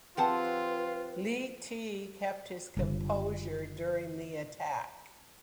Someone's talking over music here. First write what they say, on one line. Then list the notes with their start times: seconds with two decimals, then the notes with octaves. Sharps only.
Li Te kept his composure during the attack.
0.17 F3 C4 F4 G4 G#4 B4 F#5 A5
2.77 F#1 D3 G3 F4